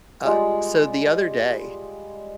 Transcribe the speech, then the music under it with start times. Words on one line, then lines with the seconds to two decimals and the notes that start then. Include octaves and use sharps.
Uh, so the other day,
0.25 G3 G#3 F4